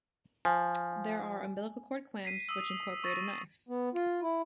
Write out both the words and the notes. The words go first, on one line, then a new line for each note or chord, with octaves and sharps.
There are umbilical cord clamps which incorporate a knife.
F3 G#5
B6 C7 D#7
D#6 E6
C#6 A6 A#6 D#7
B3
F4
E4